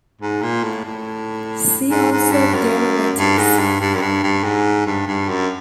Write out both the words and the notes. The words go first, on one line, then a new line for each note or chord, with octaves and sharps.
See also Derivatives.
G#2
A#2
A2
A2
G#2
G#2
G2
F#2
G2
G#2
G2
G2
F#2
G2
G2
G#2
G2
G2
F#2